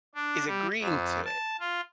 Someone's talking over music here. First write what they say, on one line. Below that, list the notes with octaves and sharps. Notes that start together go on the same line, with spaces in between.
is agreeing to it,
D4
G3
F2
A5
F4